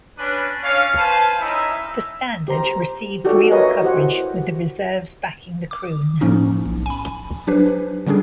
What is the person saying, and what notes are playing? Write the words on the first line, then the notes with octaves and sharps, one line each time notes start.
The standard received real coverage with the reserves backing the kroon.
C#4 D4 B4
C#4 D4 C#5 F5
B4 C5 F5 G#5 A5
C#4 D#4 E4 E5
G4 C5 A#5
D#4 F#4 G4 A4 D5
A#4 B4 C#5 D#5 E5 G#5
E4 F#4 G4 C5 F#5
D6
A2 F3 A#3 C#4 D#4
B1
G#5 B5
F#3 D4 G4 B4 C5
D3 G3 C#4 D4 G#4